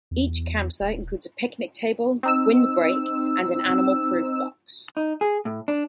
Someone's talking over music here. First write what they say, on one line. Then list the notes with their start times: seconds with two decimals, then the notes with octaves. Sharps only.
Each campsite includes a picnic table, wind break and an animal-proof box.
0.11 E2
0.81 D#1
2.23 C4 D#4 E6
4.97 D#4
5.21 G#4
5.45 A2
5.68 D4